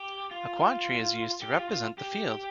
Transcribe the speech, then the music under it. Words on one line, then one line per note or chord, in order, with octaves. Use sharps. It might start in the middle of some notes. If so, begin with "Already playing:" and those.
A quadtree is used to represent the field.
Already playing: G4
F4
G4
F4
F4
G4